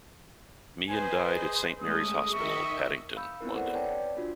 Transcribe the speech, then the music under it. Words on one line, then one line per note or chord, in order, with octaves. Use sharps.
Meehan died at Saint Mary's Hospital, Paddington, London.
B4 C5 D#5 G#5
G#4
G#3 A3 C#4 D#6
D#3 D#5 E5 C#6
F5 B5 E6 G6
B3 C4 E4 A#4
A4 B4 C5 D5 F#5
B4 C#5 D5 G5 A5
D4 F4 F#4